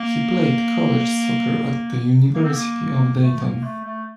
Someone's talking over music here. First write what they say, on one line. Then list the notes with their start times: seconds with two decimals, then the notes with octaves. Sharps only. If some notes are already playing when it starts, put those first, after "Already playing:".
He played college soccer at the University of Dayton.
Already playing: A#3
2.35 A#3
2.43 C4
2.53 A#3
3.20 A3
3.42 A#3
3.63 A3
3.84 A3